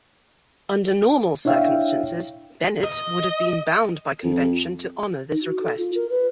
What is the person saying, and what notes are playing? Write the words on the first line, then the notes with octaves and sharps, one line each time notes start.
Under normal circumstances, Bennett would have been bound by convention to honour this request.
D4 E4 C#5 E5 F5 G5
D#5
F2
D#4
F#4
A4
F4
A#4
B4